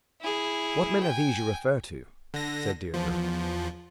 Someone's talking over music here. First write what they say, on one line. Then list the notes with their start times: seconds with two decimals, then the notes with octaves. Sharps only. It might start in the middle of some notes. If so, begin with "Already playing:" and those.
"What men are these you refer to?" said Deirdre.
0.21 E4 G#4
1.03 G5 G#5
2.34 D3 A#6
2.94 E2 F3